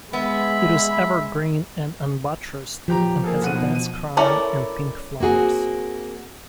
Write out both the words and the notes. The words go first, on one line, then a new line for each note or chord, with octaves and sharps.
It is evergreen and unbuttressed and has a dense crown and pink flowers.
G#3 B3 E5 B5
D#1 F3 G4 A#5
A#3 G#4 A4
B1 F#5 D#7
B2
D#7
C#4 E4 A4 A#4 D5
A#3 C4 F#4 G#4